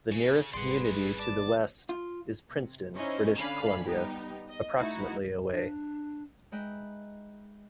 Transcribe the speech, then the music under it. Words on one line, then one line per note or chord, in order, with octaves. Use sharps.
The nearest community to the west is Princeton, British Columbia, approximately away.
C#3
G#1 G3 G#4 B4 D5 F#5 C6
C#4 E4
D5 A5
F4
C3
C#4 D#4 E4 C5 D#5
D3 C#4 D4 F5 G#5 B5
G3 B3 D#4 G4
D#5
A3 D#4 E4 F#4
D4
G#3 D#4 B4 D#5 E5 G5